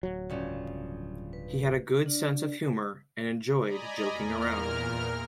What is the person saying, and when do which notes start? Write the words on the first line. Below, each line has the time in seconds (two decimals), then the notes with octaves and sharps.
He had a good sense of humor and enjoyed joking around.
0.03 D1 F#3
0.30 G2 C#3 F3
1.33 B4
2.06 D4 D5
3.62 D5 D#5 G#5 A#5 B5
4.13 E2 A#2 A#4 F6